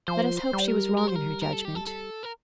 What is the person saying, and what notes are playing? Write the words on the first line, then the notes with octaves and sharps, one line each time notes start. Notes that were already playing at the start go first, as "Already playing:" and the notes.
Let us hope she was wrong in her judgement.
F3 C5
C5
G3
A#4
A#4
C5
A#4
A#4
A4
G4
A4
A4
A#4